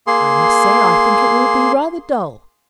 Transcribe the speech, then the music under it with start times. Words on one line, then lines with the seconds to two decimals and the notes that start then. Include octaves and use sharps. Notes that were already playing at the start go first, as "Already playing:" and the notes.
"I must say, I think it will be rather dull."
0.07 A#3 G#4 C6